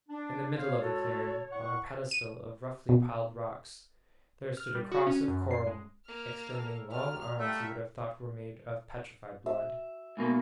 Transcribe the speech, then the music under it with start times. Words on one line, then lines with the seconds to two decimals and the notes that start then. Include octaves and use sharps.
In the middle of the clearing, on a pedestal of roughly piled rocks, there stood a cross of coral, extending long arms you would have thought were made of petrified blood.
0.09 D4
0.57 C5 C#5 F5
0.81 G#3 F#4 A4
1.52 A2 F#5 C#6
2.11 D#7
2.89 B2
4.57 F6
4.75 G3
4.92 F#4
5.07 C#4
5.28 F#2
5.51 C7
5.67 G#3
6.06 A#3 F6
6.51 A4 A#4 E5
6.92 F#3 F4 G4 F6
7.39 G3 A3 E5 F5
9.46 E5
10.17 G#2 B2 A#3